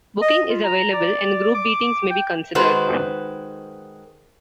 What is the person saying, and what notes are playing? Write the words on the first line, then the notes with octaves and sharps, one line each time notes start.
Booking is available and group beatings may be considered.
D#5
F4
A#5
D5
D6
G5
D#3 G#3 F#4 A4 B4 C5